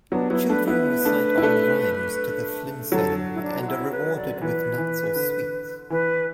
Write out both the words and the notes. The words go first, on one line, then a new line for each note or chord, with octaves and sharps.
Children recite old rhymes to the Flinserln and are rewarded with nuts or sweets.
F#3 B3 D4
F#3 B3 E4
A3 D4 B4
B3 E4 B4
A3 D4
E4
A3 D4
D3 F#3 A4
E4
D4
F#4
E4
B4
D5
E3 B4
E3
D3
E3 B4